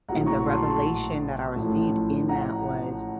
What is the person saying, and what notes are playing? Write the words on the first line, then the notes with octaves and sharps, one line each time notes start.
And the revelation that I received in that was,
A#1 A2 F#3 F#5 A#5
A#5 C#6
A5 C6
A5 C6
A1 A2 F3
F#5 A#5